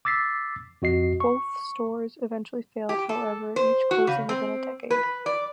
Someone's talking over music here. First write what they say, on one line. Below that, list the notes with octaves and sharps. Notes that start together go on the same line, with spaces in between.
Both stores eventually failed, however, each closing within a decade.
D6 E6 A6 B6 C7
F2 F#4 D#5 C7
C#6
G4
A4
C5
F#4
C#3
C4
B4
D5